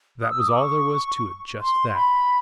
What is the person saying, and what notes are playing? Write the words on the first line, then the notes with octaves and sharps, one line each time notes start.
That was all there was to it--just that!
D#6
E6
D#6
D6
C#6
C6
B5